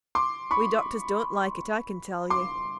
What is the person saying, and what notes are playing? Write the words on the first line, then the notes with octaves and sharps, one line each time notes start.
We doctors don't like it, I can tell you!'
C6 D6
B5 C#6
C6 D6